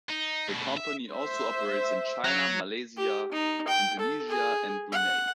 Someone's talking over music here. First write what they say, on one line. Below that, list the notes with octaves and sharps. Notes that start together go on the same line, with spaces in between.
The company also operates in China, Malaysia, Indonesia and Brunei.
D#4
D2 B2
E5
C5 E5
F#3
G4
D#4
G5
A4
G#4
F#5